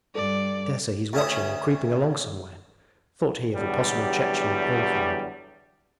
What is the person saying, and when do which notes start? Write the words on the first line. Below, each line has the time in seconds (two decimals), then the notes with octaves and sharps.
'I daresay he's watching or creeping along somewhere,' thought he of a possible Chechen hillsman.
0.15 G2 A4 D5
1.13 D2 C#4 E5 D#6
3.56 E2 D3 F#3 G3 G4